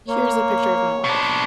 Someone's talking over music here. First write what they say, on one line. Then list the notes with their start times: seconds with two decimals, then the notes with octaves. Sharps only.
Here's the picture of my wife.
0.08 A#3 C#5
1.04 B2 D4